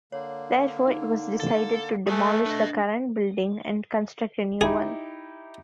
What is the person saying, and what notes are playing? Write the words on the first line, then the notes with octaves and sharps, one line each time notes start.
Therefore, it was decided to demolish the current building and construct a new one.
D3 A#3 C#5
D#4
A4
A3 G#4 B4 E5 G#5
D4 B4 D#5
D#4 E4 G4 G#4